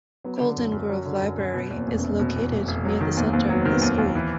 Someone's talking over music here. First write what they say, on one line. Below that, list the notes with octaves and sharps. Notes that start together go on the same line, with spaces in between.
Golden Grove Library is located near the centre of the school.
F#3 B3
D3
F#2
F#2
F#3
D3
F#2
F#2
B2 B3
E2
A#3 C4
F1
F1 B3 C#4
B2 A#3 C4
E2
F1
F1
F#3 B3
D#3
D#2 B3
D#2 A#3 C4
F#3 B3
D#3 C4
B3
D#2
D#2
E3